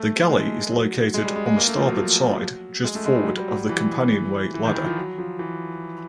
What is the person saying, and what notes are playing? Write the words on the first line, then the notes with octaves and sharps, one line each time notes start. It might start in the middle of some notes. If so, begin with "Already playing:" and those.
The galley is located on the starboard side just forward of the companionway ladder.
Already playing: A3
G#3
F#3
G#3
G3
G#3
G#3
A#3
A3
F3
F#3
G#3
A3
G#3
G3
F#3
G3
F#3
F#3
E3
E3
D#3
E3
F3
F#3
F3
E3